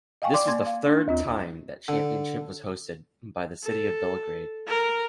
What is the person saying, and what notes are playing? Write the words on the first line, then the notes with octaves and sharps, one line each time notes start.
This was the third time that championship was hosted by the city of Belgrade.
D#5 F5 G5 G#5 C#6
D5 C6 D6
A#3 C6 G#6
F5
D4
D#2 C4 F4
D3
A4
A#4